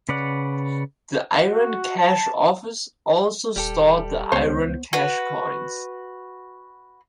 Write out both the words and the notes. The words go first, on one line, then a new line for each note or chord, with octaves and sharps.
The iron cash office also stored the iron cash coins.
C#3 B4 C#5 D5 F#5
F#4
A5
D#1 G3 G4 A4
C#2 B3 C5 C#5 G6
F#4 B4